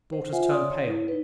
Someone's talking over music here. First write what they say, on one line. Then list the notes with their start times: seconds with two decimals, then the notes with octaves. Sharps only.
Daughters turn pale.
0.13 C5
0.32 F4 C5 E5 F#5 G#5
0.51 C#5 D5 C6 D#6
0.71 C#5
0.87 E4
1.08 D#4 B4